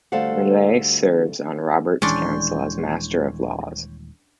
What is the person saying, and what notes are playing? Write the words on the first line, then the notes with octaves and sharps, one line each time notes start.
Renly serves on Robert's council as Master of Laws.
D2 G3 A4 C5 F5 F#5
D#1 E3 G#3 C#4 D4 C#5 G5 C6